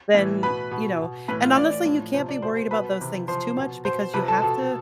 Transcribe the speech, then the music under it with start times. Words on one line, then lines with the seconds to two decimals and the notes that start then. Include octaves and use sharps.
then, you know and honestly, you can't be worried about those things too much, because you have to
0.15 A2 E3
0.43 B2 B4 B5
0.71 B2
1.00 B2
1.28 A2 E3 B4 B5
1.42 F4 F5
1.57 A2 E3 D5
1.86 A2 F3
2.14 C3 F3 C5
2.28 D5
2.42 B2 C5 C6
2.57 C5 C6
2.71 B2 B4 B5
2.99 C3 E3
3.28 C3 F3 C5 C6
3.57 B2
3.85 B2 C5 C6
4.14 C3 F3 B4 B5
4.28 A4 A5
4.42 B2 A4 A5